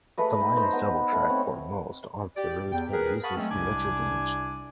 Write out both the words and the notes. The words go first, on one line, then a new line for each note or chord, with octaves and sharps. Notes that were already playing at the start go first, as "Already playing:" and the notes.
The line is double track for most of the route and uses Metre Gauge.
G#3 A3 B4 D#5
D#4
C5 D#5 A#5 C6
B3 B4
A3 F#5
C4 C#5
G4 D5
E2 G5
G#4 A#4 B4
F5 F#5 A5 B5 C#6 D#6
F#3 G#3 A3 C4 C#4
C2 C3 G3 D4 G#5 D6